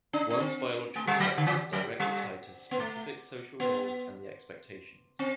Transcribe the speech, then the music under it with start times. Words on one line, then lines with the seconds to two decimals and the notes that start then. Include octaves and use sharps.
One's biological sex is directly tied to specific social roles and the expectations.
0.13 D4
0.30 D4
0.40 C4
0.96 A3
1.07 G3
1.20 F#3
1.38 D3
1.47 E3
1.73 F#3
2.00 G3
2.71 B3
2.80 A3
3.60 B3
5.19 C4